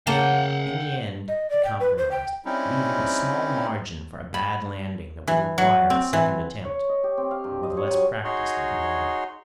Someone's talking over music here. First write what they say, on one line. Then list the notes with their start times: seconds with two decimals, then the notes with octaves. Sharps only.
In the end, he compromised, leaving a small margin for a bad landing that would require a second attempt, but with less practice than he wanted.
0.07 C#3 A#3 F#5 G5 A5 A#5
1.28 D#5
1.50 D5
1.65 G5
1.80 B4
1.98 C5
2.11 G5
2.45 G3 C4 C#4 D#4 E4
4.34 B5
5.27 E3
5.58 F#3
5.90 C4
6.13 E3
6.65 C#5
6.89 D#5
7.04 G4
7.17 C4
7.31 F5
7.44 G2
7.63 D#5
7.77 C#5
7.91 F#3
8.24 D#4 F#4 G#4 C#5 C6